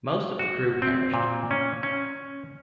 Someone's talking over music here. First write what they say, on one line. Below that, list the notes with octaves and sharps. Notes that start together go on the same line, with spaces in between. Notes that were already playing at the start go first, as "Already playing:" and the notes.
Most of the crew perished.
F#4
C4
A#2
C#4
C#4